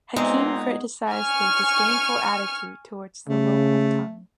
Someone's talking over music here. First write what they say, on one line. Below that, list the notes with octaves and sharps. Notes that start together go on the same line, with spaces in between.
Hakim criticized their disdainful attitude towards the local tongue.
A#2 G#3 B3 C4 D#4 C6
G#5 C#6 F6
C#3 A3